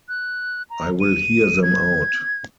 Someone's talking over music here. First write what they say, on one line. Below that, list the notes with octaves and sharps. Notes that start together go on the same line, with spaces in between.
I will hear them out.
F#6
A#5
D#7
G#6